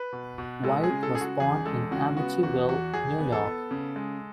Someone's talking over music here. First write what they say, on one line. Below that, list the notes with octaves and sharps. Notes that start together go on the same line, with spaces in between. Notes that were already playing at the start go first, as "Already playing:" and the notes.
White was born in Amityville, New York.
Already playing: B4
B2
B2
G#3 A4
G#4
C#3
A4
C#3 G#4
F#4
E2 G#4
G#3 A4
C#3 F#4
B3 F#4
E2 F#4
E2 F#4
E2 G#4
B3
A4
B3
C#3
G#3